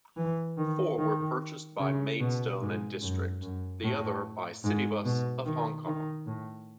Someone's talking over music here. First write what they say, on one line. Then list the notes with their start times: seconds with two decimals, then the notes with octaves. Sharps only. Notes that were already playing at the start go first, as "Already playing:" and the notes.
Four were purchased by Maidstone and District, the other by Citybus of Hong Kong.
0.17 E3
0.57 D#3
0.98 D#3
1.80 C#3
2.20 B2
2.61 G#2
3.02 F#2
3.42 F#2
3.82 A2
4.64 G#2
5.05 B2
5.45 D#3
5.86 D#3
6.27 A2